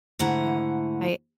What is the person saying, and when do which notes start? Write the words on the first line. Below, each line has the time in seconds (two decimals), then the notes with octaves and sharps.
Yeah, I
0.19 G#2 D3 A3 E4 F#5 A#5